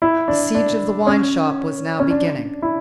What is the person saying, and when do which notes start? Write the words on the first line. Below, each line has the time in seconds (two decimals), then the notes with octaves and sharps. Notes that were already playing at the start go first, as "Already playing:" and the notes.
The siege of the wine-shop was now beginning.
0.02 E4
0.28 D4
0.55 D4
1.07 C#4
2.00 C#4
2.10 D4
2.62 E4